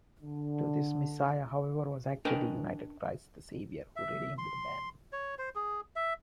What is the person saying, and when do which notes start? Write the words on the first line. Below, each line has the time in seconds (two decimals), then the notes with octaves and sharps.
To this Messiah, however, was actually united Christ the Saviour, who redeemed men.
0.22 D3
2.25 C#4 D4 A#4 B4 D#5 G5
3.96 E5
4.38 C6
5.13 C#5
5.38 C5
5.55 G#4
5.96 E5